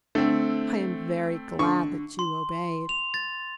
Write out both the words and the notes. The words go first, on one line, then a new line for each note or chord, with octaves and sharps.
I am very glad that you obeyed.
D3 A3 C4
D3 C#6
C6
F7
A6